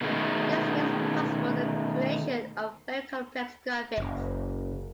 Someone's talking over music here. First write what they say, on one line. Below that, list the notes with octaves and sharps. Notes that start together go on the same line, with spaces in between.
This makes possible the creation of very complex graphics.
B2 D#3 G#3 A3
F#1